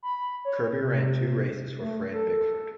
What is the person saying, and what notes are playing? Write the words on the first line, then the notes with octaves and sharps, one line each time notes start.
Kirby ran two races for Fred Bickford.
B5
C#5
C3
A3
A4